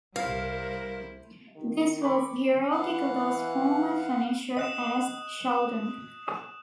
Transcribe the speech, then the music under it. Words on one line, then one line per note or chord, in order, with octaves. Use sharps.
This was Hirooki Goto's former finisher as "Shouten".
C2 G3 E4 A#4 C5 F5
D#3
B5 C#6 D6
E3 F5 F#5
D#5 D#6 F#6 E7